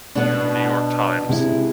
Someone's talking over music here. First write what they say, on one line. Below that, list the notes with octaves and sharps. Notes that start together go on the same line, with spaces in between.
New York Times.
B2 B3 D4
C3 G#3 E4